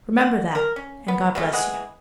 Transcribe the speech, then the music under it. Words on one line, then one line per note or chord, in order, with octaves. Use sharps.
Remember that, and 'God bless you!'
F#5
A#4
C#4
B3
B2 G#3 A3 F4
E3 G#3 G#4 F#5